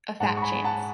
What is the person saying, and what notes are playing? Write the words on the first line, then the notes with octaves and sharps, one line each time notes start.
A fat chance!
G#2 G#3 F#5 A5
C#6
G#5 B5
F#5 A5